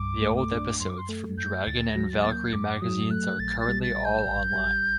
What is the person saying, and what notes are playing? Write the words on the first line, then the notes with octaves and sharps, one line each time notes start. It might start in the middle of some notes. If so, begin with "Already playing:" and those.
The old episodes from Dragon and Valkyrie magazines are currently all online.
Already playing: C2 G2 D6
A3
D6
D4
F#2 C6
D6
C6
A3
F#2 G6
D2 A6
A#6
F#3
A6
A#3 A6
G6
F#2 D6
F#3 D#6
A3 F#6
A#1 A6
A6
G3
A6
A#1
G6
A1
G3